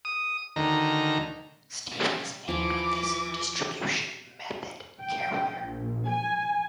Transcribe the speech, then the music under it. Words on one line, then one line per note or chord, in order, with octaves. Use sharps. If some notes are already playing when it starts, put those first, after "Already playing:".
Stevens named this distribution method careware.
D#6
D2 D#3 A#5
C#3 G3
D#2 E3 F3 E4 D6
G5
A#1
G#5